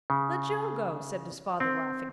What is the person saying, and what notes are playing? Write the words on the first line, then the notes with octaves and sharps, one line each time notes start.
"Let Joe go," said-his father, laughing.
C#3
C4